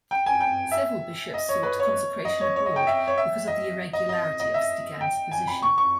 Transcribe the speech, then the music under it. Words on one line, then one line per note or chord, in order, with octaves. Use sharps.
Several bishops sought consecration abroad because of the irregularity of Stigand's position.
G5
G#5
G5
E5
D#5
C#5
B4
C#5
D#5
C#5
C#5
D#5
G5
E5
C#5
E5
D#5
D#5
D#5
D#5
E5
G5
G#5
B5
C#6
C#6